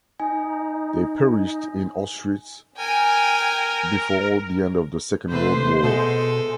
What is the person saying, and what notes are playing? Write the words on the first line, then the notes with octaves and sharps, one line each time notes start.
They perished in Auschwitz before the end of the Second World War.
D#4 G#5
A#4 G5 G#5
C3 A3 B4 C5 C6
B2 G#3 A4 D#5 E5